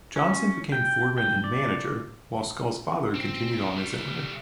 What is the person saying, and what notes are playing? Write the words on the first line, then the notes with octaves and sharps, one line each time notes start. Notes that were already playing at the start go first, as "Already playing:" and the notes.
Johnson became foreman and manager, while Scull's father continued on as owner.
C#4
G5
G5
D5
C4
C2 F#2
G3 A3